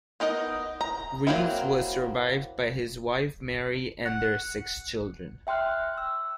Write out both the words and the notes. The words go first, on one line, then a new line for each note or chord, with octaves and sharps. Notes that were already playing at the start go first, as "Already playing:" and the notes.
Reeves was survived by his wife Mary and their six children.
B3 D#4 A#4 D#5
A#5
F#3 G#3 A#3 C4 E4
F#5
E5 G5 C6 F6 F#6
E6